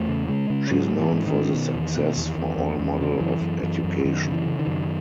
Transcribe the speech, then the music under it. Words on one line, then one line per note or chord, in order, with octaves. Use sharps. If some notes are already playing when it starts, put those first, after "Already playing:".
She is known for the Success for All model of education.
Already playing: E2 A3
C#3
C#3 G#3
C#3
G#2 F#3
G#2
E3
G#2
D#3
G#2
B2
E2
B2
E2
E2
E2
E2
C#3
F#2 E3
F#2
F#2 E3
F#2
F#2 D#3
C#3
E3
C#3
D#3
F#2